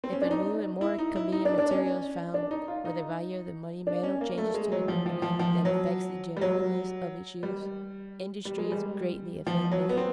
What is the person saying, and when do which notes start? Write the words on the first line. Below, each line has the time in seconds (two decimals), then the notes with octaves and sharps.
If a new and more convenient material is found, or the value of the money metal changes to a degree that affects the generalness of its use, industry is greatly affected.
0.04 C4
0.12 C#4
0.22 D4
0.31 D#4
0.81 E4
0.98 D#4
1.15 E4
1.32 D#4
1.45 D4
1.58 D4
1.71 C#4
2.34 D4
2.51 D#4
2.68 F4
2.85 D#4
3.87 D4
4.03 C#4
4.21 A#3
4.38 A3
4.54 G#3
4.72 F#3
4.88 F3
5.06 F3
5.22 F3
5.39 F3
5.65 F#3
6.37 G3
6.41 F#3
7.43 G3
8.45 G3
8.58 G#3
8.72 G3
9.47 F3
9.71 F#3
9.89 B3
9.97 C4